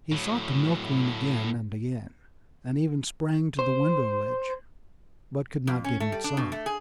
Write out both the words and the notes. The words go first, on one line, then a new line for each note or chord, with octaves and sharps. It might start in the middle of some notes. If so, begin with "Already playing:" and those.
He sought the milk-room again and again, and even sprang to the window-ledge, but could not get inside.
A2 F#3
C5
F2
C#4
A3
G3
D4
B2
A3
G#4